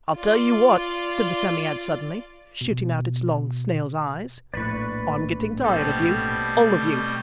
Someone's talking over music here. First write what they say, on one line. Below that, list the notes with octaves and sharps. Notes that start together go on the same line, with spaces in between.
'I'll tell you what,' said the Psammead suddenly, shooting out its long snail's eyes - 'I'm getting tired of you - all of you.
F4 D5
B2
A#1 A2 B4 D5 B5 C#6
B2 G3 A3 C4 G4 A4